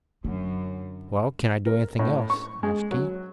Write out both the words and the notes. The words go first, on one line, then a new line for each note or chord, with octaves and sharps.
"Well; can I do anything else?" asked he.
F#2 D3
A#4
A2
C#6
G#3
F#3